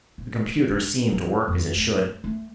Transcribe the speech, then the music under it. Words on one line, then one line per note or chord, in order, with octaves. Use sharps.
The computer seemed to work as it should.
B2
D4
C#3
F2
A3
A3